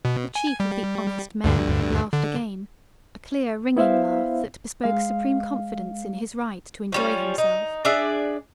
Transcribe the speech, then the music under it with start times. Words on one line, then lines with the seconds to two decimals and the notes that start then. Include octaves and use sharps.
The chief of the "honest men" laughed again, a clear, ringing laugh that bespoke supreme confidence in his right to enjoy himself.
0.05 B2
0.35 G#5
0.60 G3
1.44 D2 G2 D3
2.12 D3
3.77 B3 E4 C5 E5 F5
4.84 G#3 F5
6.92 F3 G3 C#4
7.38 D#4
7.85 D4 G#4 D5 E5